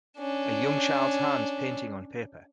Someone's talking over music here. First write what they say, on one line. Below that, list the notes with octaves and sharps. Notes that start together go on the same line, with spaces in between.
A young child 's hands painting on paper.
C#4 D4